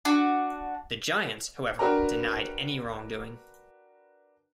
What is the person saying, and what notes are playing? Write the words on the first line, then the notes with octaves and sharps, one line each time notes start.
The Giants, however, denied any wrongdoing.
D4 F#4
D4 F#4 A#4 B4 G5 A#5